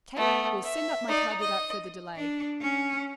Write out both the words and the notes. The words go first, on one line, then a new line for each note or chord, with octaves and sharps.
Take or send up my card without further delay.
A3 B3
E5
D#4 D5
D#5
D4
C#4